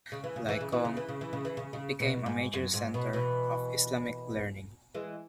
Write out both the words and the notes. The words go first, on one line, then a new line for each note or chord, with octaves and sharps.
Like Kong, it became a major center of Islamic learning.
C#3
E3
C#3
E3
C#3
E3
C#3
E3
C#3
E3
C#3
E3
C#3
C#3
B2
G#2
F#2
G#2
B2
B2 E3
E3 G#3